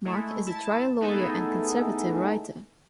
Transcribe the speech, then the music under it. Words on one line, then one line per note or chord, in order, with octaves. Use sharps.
Mark is a trial lawyer and conservative writer.
G#3 A3 E4
E4 A5
A3 B3 D#4 E4 G#4 A4